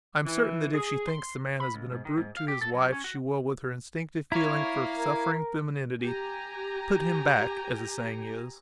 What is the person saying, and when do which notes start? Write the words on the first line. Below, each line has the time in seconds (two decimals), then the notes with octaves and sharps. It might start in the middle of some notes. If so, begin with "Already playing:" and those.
I am certain that if she thinks the man has been a brute to his wife she will, with her instinctive feeling for suffering femininity, "put him back", as the saying is.
0.25 E3
0.74 G#4
1.07 C6
1.60 B5
1.74 C#2
1.91 G#2
2.05 D#3
2.17 G#2
2.37 F5
2.48 G4
2.61 A4
2.74 F#3
2.92 C#4
3.04 F#4
4.32 E4 C#5 F5 A#5
4.95 A#4
6.04 G4 G#5 A#5